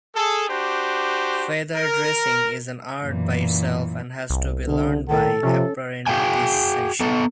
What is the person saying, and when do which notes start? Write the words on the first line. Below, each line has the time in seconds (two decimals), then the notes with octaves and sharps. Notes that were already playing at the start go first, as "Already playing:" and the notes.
Feather dressing is an art by itself and has to be learned by apprenticeship.
0.15 G#4 A4
0.47 D4 F#4 G4 C5
1.75 A#4
3.02 F#2 A#2 E3
4.30 C2
4.67 D3
5.09 A2 D#3 A4
5.43 C3 F3 C#4
6.07 F#4 G#4 F5 G5 G#5
7.00 B3 A4